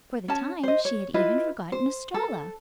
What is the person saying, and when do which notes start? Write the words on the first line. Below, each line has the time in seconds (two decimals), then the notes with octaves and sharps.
For the time she had even forgotten Estralla.
0.28 C#4 A5
0.63 C5 D#5
0.85 C#5
1.14 E4 F4 B4 D#5
1.72 C5
2.14 A4